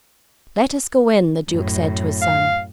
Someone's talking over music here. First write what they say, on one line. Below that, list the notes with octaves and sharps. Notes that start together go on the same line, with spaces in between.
"Let us go in," the duke said to his son.
F#2 A2
F5